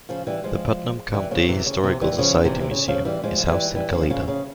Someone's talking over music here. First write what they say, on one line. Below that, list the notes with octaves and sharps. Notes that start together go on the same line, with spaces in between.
The Putnam County Historical Society Museum is housed in Kalida.
C#3 F3
E3 G3
F3 G#3
E3 G3
C#3 F3
C3 E3
C#3
C3 E3
E3 G3
E3
C#3 F3
C3 E3
C3
C#3
C#3 F3
E3 G3
F3 G#3
G#3
E3 G3
E3 G3
C#3 F3
C#3 F3
C#3